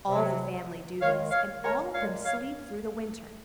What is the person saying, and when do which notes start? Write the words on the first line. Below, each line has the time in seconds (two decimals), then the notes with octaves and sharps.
All the family do this, and all of them sleep through the winter.
0.08 C3 F#3
1.01 F#2 D#3 G#3 C#5 F5
1.31 C#5 F5
1.63 A#4 C#5
1.94 A#2 G#3 C#5 F5
2.25 C#5 F5